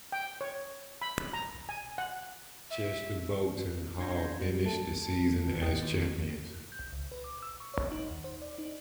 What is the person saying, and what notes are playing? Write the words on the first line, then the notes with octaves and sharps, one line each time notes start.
Chester Boughton Hall finished the season as champions.
G5
C#5
B5
A#5
G#5
F#5
E5
D4 C6 G6 G#6 A#6
F#3 G3
A3 A5
G#1 A2 B3 D#5 G5 A6
D#2
F2
G6
C#2
B4
D6
E6
C#6
C#5
D#4
D#2
C5
D5
D#4